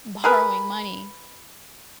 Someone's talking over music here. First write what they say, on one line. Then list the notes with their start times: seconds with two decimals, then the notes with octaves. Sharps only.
borrowing money
0.24 G#4 A#4 B4